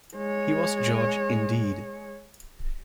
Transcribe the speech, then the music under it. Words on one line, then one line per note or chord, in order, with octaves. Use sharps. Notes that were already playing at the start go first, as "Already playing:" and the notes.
He was George indeed.
G#3 C#5